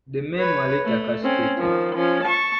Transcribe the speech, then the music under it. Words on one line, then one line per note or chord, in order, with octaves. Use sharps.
The men were later castrated.
B4 C#5
A3
C4 C#4
D#3 F3
F3 C#4
A5 C#6